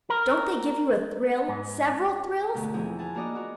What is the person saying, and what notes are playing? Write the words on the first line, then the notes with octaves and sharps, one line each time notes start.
Don't they give you a thrill--several thrills?
A#4
G#2
G#2 B2 D3 A3
E2 F3 C4 E4 G#4 G5
G#4 B4 F5 G#5 A5
A#3 D4 F#4 A#4 D5 D#5
B3 F#4 A#4